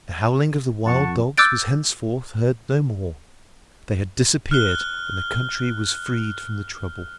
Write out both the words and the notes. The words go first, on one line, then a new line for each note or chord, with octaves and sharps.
The howling of the wild dogs was henceforth heard no more; they had disappeared, and the country was freed from the trouble.
F2 F#5 A5 C#6
D6 E6 F#6 G6 A6 D7
F6 F#6 G7